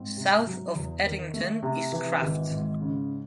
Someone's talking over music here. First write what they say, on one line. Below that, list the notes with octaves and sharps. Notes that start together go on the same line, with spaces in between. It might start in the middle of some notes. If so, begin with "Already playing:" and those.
South of Eddington is Krafft.
Already playing: G#2 C4
C3
F#3
E2
D#3
A3
C3
E3
G#1
G#2
C#3